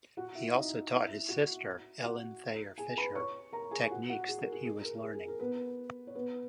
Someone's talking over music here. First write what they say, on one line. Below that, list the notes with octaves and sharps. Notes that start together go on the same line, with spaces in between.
He also taught his sister, Ellen Thayer Fisher, techniques that he was learning.
F#4 F#5
E4 E5
D#4 D#5
E4 E5
F#4 F#5
F#4 F#5
G#4 G#5
B4 B5
C#5 C#6
A#4 A#5
G#4 G#5
F#4 F#5
F#4 F#5
G#4
A#4
G#4
G#4
A#4
G#4
G#4
A#4
B3 B4
C#5
B3 B4